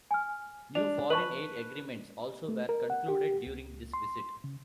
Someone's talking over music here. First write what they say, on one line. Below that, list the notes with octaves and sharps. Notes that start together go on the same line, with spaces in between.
New foreign aid agreements also were concluded during this visit.
G#5 F6
D4 F7
B4 A5 C#6 F#7
A3
A#4
F#5
G4
C#2
C6
C#3